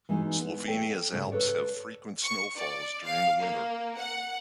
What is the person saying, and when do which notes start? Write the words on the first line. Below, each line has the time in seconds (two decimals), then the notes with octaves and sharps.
Slovenia's Alps have frequent snowfalls during the winter.
0.09 E3 G#3 B3 D#4 F#4
0.40 B3
0.68 A4 C#5 G5
1.12 G#2 C#3
1.31 A4 B4 C#5 D5
2.23 C#6
2.56 D5
3.04 F5
3.41 A#3
3.97 F#5